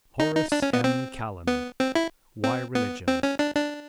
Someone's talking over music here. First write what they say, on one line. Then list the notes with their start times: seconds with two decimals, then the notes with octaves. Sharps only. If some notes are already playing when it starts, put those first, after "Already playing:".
HORACE M. KALLEN, "Why Religion?"
0.20 D#4
0.35 D#4
0.52 D4
0.62 C#4
0.73 B3
0.84 C4
1.47 B3
1.80 C4
1.95 E4
2.44 C4
2.75 B3
3.08 C4
3.23 C#4
3.39 D4
3.55 D4